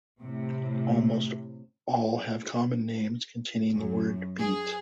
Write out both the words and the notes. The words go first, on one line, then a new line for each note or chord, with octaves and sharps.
Almost all have common names containing the word "beet".
A2 C3
F#2
G#4